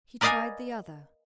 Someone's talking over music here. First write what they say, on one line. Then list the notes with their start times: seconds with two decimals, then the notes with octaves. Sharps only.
He tried the other.
0.21 A#4 B4 D5 D#5 F5 G#5